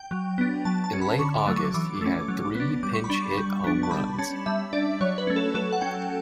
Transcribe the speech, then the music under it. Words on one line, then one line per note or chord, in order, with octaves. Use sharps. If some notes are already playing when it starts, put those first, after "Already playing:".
In late August, he had three pinch-hit home runs.
Already playing: G5
F#3
B3 D4
F#3 A5
A5
C#4
B5
D3 C#6
D6
F#3 A3
C#6
E3 D6
A3 C#4
F#3
B3 D4
G3 D6
C#6
B5
D4
C#6
G3
B3 D4
A5
G3 B5
C#4 A5
G3 E5
D4 D5
F#3 C#5
B4
A3 C#4
A4
F#3 A4
F#5
C#4 G5